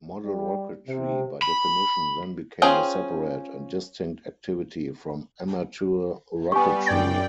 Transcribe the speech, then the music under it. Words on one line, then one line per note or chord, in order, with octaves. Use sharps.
Model rocketry by definition then became a separate and distinct activity from amateur rocketry.
G3
C3
B5
C#4 F4 G#4 C5 G5
G3 B3 G#5 C#6
F#2 D5 G5